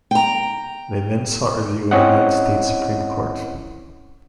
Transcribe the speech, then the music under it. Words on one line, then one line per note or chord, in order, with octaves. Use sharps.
They then sought review in the United States Supreme Court.
G5 A#5
C4 C#4 E4 C#5 D#5 F#5